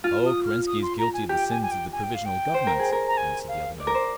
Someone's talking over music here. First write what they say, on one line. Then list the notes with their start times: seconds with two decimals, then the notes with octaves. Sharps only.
"Oh, Kerensky is guilty of the sins of the Provisional Government," answered the other man.
0.04 F4 F6
0.25 D#6
0.46 F6
0.67 D#6
0.82 C6
0.98 A#5
1.13 G#5
1.29 G4 G5
1.50 G#5
1.62 G#5
1.71 G5
1.92 G#5
2.03 G5
2.14 F5
2.25 G5
2.54 C5
2.67 A#4
2.79 G#4
2.92 A#4
3.08 A#5
3.17 G#5
3.48 F5
3.80 D5
3.87 A#4
3.94 C5